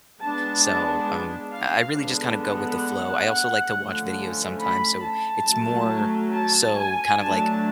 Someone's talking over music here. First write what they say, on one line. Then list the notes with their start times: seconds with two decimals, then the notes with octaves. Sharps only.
So, um, I really just kind of go with the flow. I also like to watch videos sometimes, so it's more so kind of, like,
0.21 G#3 B3 D4 A5
0.64 A5
1.52 F5
1.96 D3 G#3 B3 D4
2.39 F#5
3.71 D3 F3 A3 C#4
4.58 B5
5.01 A5
5.45 F#3 A3 C#4
6.33 A5
6.77 G#5
7.20 F#3 A3 D4 A5